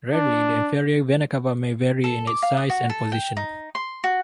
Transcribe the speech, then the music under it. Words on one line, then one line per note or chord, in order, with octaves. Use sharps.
Rarely, the inferior vena cava may vary in its size and position.
D4
A4
D6
F5
D#6
F#4
A4
G5
D#4
C6
F#4